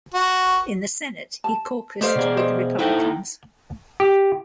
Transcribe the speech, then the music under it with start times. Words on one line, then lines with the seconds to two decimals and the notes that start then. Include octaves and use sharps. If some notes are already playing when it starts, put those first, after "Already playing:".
In the Senate, he caucused with the Republicans.
0.14 F#4
1.44 A5
2.01 A3 G4 C5 D5 D#5 F5
2.16 B2 G#4
2.37 C5 D#5
2.79 A#3 D#4 E4 F#4 A4 G5
4.00 G4